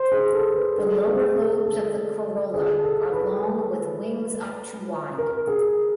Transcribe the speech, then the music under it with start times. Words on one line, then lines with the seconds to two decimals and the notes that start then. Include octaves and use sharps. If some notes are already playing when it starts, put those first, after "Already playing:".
The lower lobes of the corolla are long with wings up to wide.
Already playing: C5
0.12 G#4
0.34 A4
0.56 B4
0.78 G#4
1.07 G#4
1.37 A4
1.66 A4
2.54 G#4
2.83 A4
3.12 B4
5.18 A#4
5.47 G#4